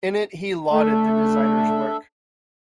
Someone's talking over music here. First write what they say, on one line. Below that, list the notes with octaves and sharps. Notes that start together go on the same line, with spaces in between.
In it he lauded the designers' work.
A3 D4 A4 E5